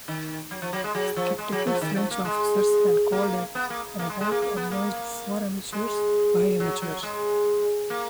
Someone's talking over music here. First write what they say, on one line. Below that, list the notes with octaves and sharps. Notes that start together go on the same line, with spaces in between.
Sceptical French officers had called it "an attack organized for amateurs by amateurs".
D#3
F#3
F3
F#3
G#3
F#3
F3
G#3
F#3
F3
D#3
F3
A#3
G#3
A#3
B3
A#3
A#3
G#3
G#3
A#3
A#3
B3
A#3
G#3
F#3
F#3
G#3
A#3